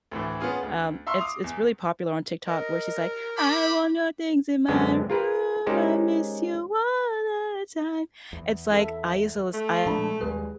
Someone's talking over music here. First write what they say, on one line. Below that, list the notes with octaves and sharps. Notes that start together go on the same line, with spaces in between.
um, it's it's really popular on TikTok where she's like, "I want your things in my room, I miss you all the time," it's like, I used to lis I
D2 A2 E3
B3 C#4 F4 G#4
D2
E5 F5 C6 C#6 E6
D6 D#6 C7 F7
E2
A#4 D#5
C5 G5 B5 D6
F#2 D3 G#3 B3 C4 D4
F4 A#4 B4
G#3 C#4 D#4 G4 A#4 C5
E2
E4 A4 E5
A3
A#2 F3 G#3 D4 B5
D#2 G3 G#3 G#4 B4